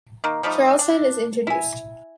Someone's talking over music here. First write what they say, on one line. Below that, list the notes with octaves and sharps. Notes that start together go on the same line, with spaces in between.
Charleston is introduced.
D#3 A#3
F3 G3 A3 D#4
D4
E4 G#5